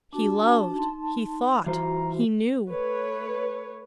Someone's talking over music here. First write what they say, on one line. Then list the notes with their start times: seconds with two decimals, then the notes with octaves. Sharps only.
He loved, he thought, he knew.
0.13 D4 F#4 A5
0.74 D#4 C6
1.66 E3 F4 F#4 C5 A#5
2.66 A3 B4 C#5